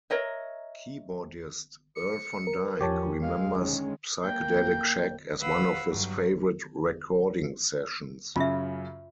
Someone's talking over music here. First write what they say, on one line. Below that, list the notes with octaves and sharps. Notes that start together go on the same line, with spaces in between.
Keyboardist Earl Van Dyke remembers "Psychedelic Shack" as one of his favorite recording sessions.
A#4 C#5 D#5 E5
C#7
A#4
E2 F3 C#4 G4 C#5 A5
G#3 F5
D3 D#3 G#3 C#4
A#3 G5
B4 F5 F#5 B5 E6
G2 F#3
F#2 C#3 F4 E5